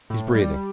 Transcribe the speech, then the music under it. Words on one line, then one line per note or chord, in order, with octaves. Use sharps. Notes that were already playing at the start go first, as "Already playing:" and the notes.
He's breathing.
A2
G3